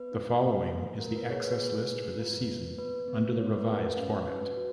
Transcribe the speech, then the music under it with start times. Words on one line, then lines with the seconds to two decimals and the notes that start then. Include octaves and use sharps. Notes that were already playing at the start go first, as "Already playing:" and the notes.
The following is the access list for this season under the revised format.
Already playing: B3 B4
0.12 D#4
0.41 G#4
0.71 A#3
1.00 A#3 A#4
1.16 B4
1.30 G#4 C#5
1.45 B4
1.59 G#4 B4
1.90 G#4
2.19 F4
2.49 A#3
2.78 B3 B4
3.08 B3
3.37 B3 C#5
3.53 B4
3.61 A#4
3.67 G#4 B4
3.82 F#5
3.97 C#4 F5
4.06 B4
4.11 C#5
4.27 F#4 B4
4.42 B4
4.57 F#4